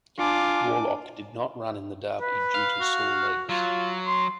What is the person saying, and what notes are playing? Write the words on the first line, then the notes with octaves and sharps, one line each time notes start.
Warlock did not run in the Derby due to sore legs.
D4 F4 G#5 D6
B4
F5
F#4
F#3 F4
C6